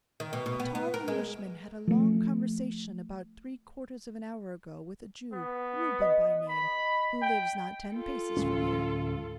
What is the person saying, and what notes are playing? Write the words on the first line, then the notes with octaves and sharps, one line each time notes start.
"A tall Englishman had a long conversation about three-quarters of an hour ago with a Jew, Reuben by name, who lives not ten paces from here."
D#3
B2
B2
B3
B3
A#4
G#3
F3 A3
B3
D#5
B5
G5
F4 A4
D1 G#3 C#4